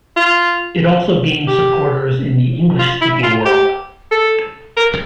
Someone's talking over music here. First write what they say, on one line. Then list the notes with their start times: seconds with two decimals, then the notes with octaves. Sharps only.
It also gained supporters in the English-speaking world.
0.16 F4
1.48 G4
2.79 F4
3.01 E4
3.23 F4
3.45 G4
4.12 A4
4.77 A#4